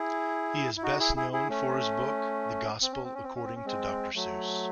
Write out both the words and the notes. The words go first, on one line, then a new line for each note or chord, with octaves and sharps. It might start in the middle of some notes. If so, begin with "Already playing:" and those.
He is best known for his book "The Gospel According to Doctor Seuss".
Already playing: E4 G#4
E4
D#4 F#4
E4 G#4
E4 G#4
E4 G#4
A3 C#4
C4
C#4
C4
C#4
C4
C#4
C4
C#4
G#3 C4
F#3 A3